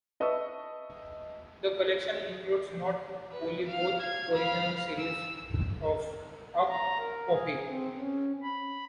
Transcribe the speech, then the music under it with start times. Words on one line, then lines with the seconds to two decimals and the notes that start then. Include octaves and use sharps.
The collection includes not only both original series of Up Pompeii!
0.20 B4 D#5 E5 A5 C#6 E6
3.31 B4
3.67 F5
3.99 F5 G#6
4.33 F5 B5
4.98 E6
6.69 A#5
6.98 A#4
7.30 G#4
7.66 C4
7.97 C#4
8.43 B5